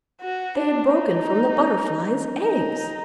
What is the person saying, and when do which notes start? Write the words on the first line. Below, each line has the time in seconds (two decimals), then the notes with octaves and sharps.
They had broken from the Butterfly's eggs!
0.21 F#4
0.58 D4
0.94 D#4
2.41 D#4